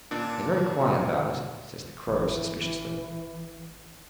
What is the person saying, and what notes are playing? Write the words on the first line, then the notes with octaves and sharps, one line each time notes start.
"They're very quiet about it," says the Crow suspiciously.
A#2 D4
G#1 E3